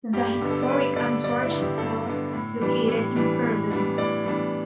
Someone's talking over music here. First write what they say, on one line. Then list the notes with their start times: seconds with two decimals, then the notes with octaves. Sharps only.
The historic Ansorge Hotel is located in Curlew.
0.13 G2 G4
0.33 G4
0.42 D3 B3 D4
0.51 A4
0.62 D5
0.68 G2 B4
0.96 D3 B3 D4 D5
1.24 G2 D5
1.42 E4
1.51 D3 B3 D4
1.60 G4
1.78 G2 A4
2.06 D3 B3 D4
2.33 A2
2.61 E3 G3 B3 D4
2.88 A2
3.16 E3 G3 B3 D4
3.42 A2
3.70 E3 G3 B3 D4
3.98 A2 D5
4.25 E3 G3 B3 D4